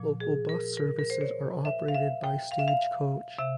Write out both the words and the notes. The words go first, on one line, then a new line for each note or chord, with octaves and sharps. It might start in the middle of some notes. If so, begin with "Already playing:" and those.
Local bus services are operated by Stagecoach.
Already playing: A#2 F3
G#4
A#4
A#4
A#4
C5
C#5
E5
F5
E5
G5
F5
E5
F5
C3 E5